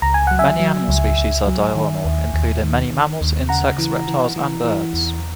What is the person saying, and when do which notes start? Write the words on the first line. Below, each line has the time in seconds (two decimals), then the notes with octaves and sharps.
Many animal species are diurnal, including many mammals, insects, reptiles and birds.
0.02 C#2 A#5
0.14 G#5
0.27 F#3 F#5
0.39 E5 G#5
0.60 F#3
0.88 C#2
1.18 C#2
1.47 F#3
1.76 D#3
2.05 D#2
2.34 D#2
2.63 D#3
2.92 D#3
3.21 D#2
3.49 C#3 F#5 A#5
3.78 E3
4.08 E3
4.36 E3
4.65 E3
4.94 E2